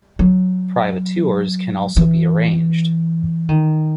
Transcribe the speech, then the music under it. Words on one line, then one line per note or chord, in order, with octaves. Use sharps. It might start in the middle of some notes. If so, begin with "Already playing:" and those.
Private tours can also be arranged.
F#3
E3
D#3